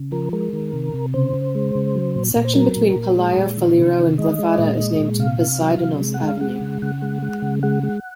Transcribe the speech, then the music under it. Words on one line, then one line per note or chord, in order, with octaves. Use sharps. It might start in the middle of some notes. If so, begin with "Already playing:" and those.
The section between Palaio Faliro and Glyfada is named Poseidonos Avenue.
Already playing: C#3
F3 A#4
G#3 A#4
D#3
C3
C3
C#3 C5
C#3
G#3
C#3
F#3
A#2
A#2 A#4
C5
F#3 A#4
A#2
A#2
G#3
A#2
D#3
C3
D#3
G#3 D#5
G#3
A#2
G#3
A#2
C3 F5
C3
F#3
C3
G#3
F#5
G#3
F5
G#3 F#5
C#3
C#3 F#5
G#3
G#3
C#3
G#3 F#5
G#3